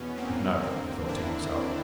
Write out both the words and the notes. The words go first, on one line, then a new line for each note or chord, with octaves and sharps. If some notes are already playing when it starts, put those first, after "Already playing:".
'But no,' he thought to himself.
Already playing: E2 B2 B3 C#4
A#3 C4
D#2 D3 A#3 C4
D4 E4